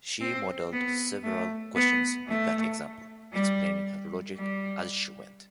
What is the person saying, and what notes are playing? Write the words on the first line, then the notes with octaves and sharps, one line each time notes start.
She modeled several questions with that example, explaining her logic as she went.
C4
B3
A3
B3
A3
G3
G3